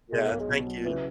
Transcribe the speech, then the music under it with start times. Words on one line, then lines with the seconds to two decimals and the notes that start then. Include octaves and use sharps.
Yeah, thank you.
0.12 B2 G#3
0.27 B1 A#3
0.40 G#3
0.49 B2
0.67 F#3
0.84 C#3 E3